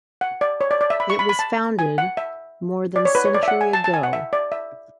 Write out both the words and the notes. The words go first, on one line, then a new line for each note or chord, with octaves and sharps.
It was founded more than century ago.
F#5
D5
C#5
D5
D5
E5
B5
C#6
B5
B5
A5
G#5
F#5
E5
D5
C#5
B4
C#5
D5
E5
F#5
G#5
A5
A5
G#5
F#5
E5
D5
E5